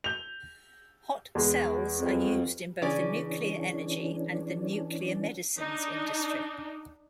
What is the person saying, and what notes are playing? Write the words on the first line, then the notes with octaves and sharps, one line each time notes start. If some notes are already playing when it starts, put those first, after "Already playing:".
Hot cells are used in both the nuclear-energy and the nuclear-medicines industries.
G6 F7
E2 G#3
F2
C#3 E3 C#4 D4 D5 G#5
D4 D#4